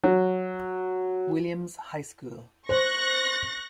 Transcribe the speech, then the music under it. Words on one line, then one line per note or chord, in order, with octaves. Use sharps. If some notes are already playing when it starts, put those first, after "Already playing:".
Williams High School.
F#3
C5 C#6 F#6 A#6